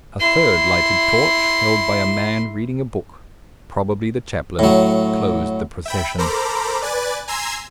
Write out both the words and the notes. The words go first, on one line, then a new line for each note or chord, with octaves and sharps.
A third lighted torch, held by a man reading a book, probably the chaplain, closed the procession.
E4 C6
A2 F#3
E5 G5 B5
A4 A#4 C5 A#5 B5 D6
B4 D5 G#5 F#6 A6
G#5 A#5 C6 E6 G#6 C7